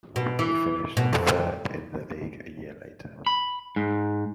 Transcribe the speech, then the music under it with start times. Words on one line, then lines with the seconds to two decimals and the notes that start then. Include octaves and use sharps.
They finished third in the league a year later.
0.16 B2
0.39 E3
0.97 B2
1.13 F2
3.26 B5
3.76 G#2